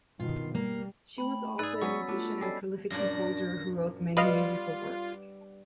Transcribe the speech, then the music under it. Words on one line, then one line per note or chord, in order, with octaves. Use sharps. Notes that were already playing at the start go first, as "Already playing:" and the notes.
She was also a musician and prolific composer who wrote many musical works.
G2 B2 D#3 F4
G3 A#3
A3 G5 B5
G#2 G#4 B4 D5 E6 A6
F#3 B3 C#4 C#6 E6 B6
A3 D4 F4
G3 C#4 F#4 A4 D5 D#5 C7
F#2 A#2 D4 A#6
G3 B3 F4 B4 D#5 F5